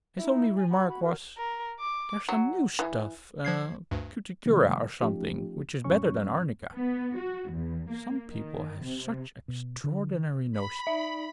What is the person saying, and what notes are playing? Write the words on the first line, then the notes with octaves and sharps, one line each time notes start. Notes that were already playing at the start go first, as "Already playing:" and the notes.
His only remark was, "There's some new stuff, cuticura or something, which is better than arnica." Some people have such extraordinary notions of humor.
D#4 E4
G#5
F#4 B5
B5
A#4
A#4
D6
F#3
E3
F3 G#6 C7
D2 G2
C3 D#3 F3 G3 G#3 A#3
F3 A3 C#4 D#4 F4 G4
F2 A2 F#3 C#4 C#6
B3
F#4
E2
A#3
D#3
C3
B2
D3
B5
D#4 D5 E5